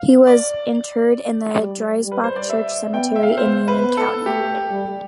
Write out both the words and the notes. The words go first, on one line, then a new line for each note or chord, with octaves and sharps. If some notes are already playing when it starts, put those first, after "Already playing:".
He was interred in the Driesbach Church Cemetery in Union County.
Already playing: F5
D5
G3
G3
B4
C5
D5
E5
D5
B3 G5
E5
F5
E5
B3 C5
B4
B3
A4
A3 G4
G3